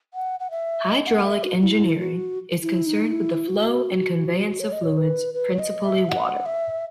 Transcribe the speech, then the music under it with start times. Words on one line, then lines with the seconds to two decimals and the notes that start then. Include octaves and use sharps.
"Hydraulic engineering" is concerned with the flow and conveyance of fluids, principally water.
0.14 F#5
0.40 F#5
0.51 E5
0.88 D#5
1.07 F#5
1.26 E5
1.43 F#4
1.63 E4
2.00 F#4
2.62 E4
2.86 D#4
3.11 E4
3.48 F#4
4.60 C#5
4.72 D#5
4.83 C#5
4.97 B4
5.34 B4
5.53 C#5
5.59 D#5
5.85 E5
6.09 F#5
6.46 E5